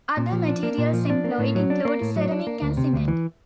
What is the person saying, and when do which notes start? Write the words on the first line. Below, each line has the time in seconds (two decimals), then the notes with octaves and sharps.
Other materials employed include ceramic and cement.
0.17 A#2
0.32 F3
0.48 D4
0.63 A#3
0.78 A#2
0.94 F3
1.10 D4
1.24 A#3
1.39 A2
1.55 F#3
1.70 D4
1.85 A#3
2.02 A2
2.16 F#3
2.32 D4
2.47 A#3
2.62 D2
2.77 C3
2.93 D2
3.08 E3